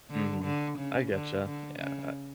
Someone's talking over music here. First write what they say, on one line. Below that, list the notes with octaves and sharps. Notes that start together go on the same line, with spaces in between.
Mhm. I get you, yeah I
D3
D3
C#3
D3
D3
C#3